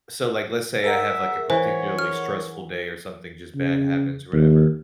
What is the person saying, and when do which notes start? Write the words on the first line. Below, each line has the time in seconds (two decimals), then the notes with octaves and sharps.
so, like, let's say I have, like, a particularly stressful day or something, just, bad happens, whatever.
0.84 G#4 A#4 E5 F#5
1.50 E3 C5 C#5
1.99 F6
3.56 C#3
4.33 D#2